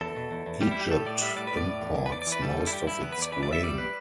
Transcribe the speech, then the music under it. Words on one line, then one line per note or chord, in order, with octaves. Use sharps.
Egypt imports most of it's grain.
E2 A4
B2
E2
E2
G3 G4
E4
G3 G4
A2 A4
A2 D5
G3 E5
A2 D5
B4
A2
D5
A2
E2
E2
B4
E2 D5
D5
E3
B4
G3 A4
G3
E4
G2 G4
G2 E4
E2 B3
B4
E2 D5
E3 B4
D5
E2 E5
G3 D5
B4